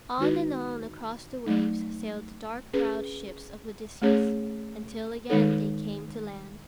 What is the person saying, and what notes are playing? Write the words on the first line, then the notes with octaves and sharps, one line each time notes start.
On and on across the waves sailed the dark-prowed ships of Odysseus, until again they came to land.
D#3 G#3 D#4 F#4 B4
F#3 A3 D#4
C#4 G#4 B4
A3 C#4 G#4 C#5
D#3 G#3 D#4 A4 C#5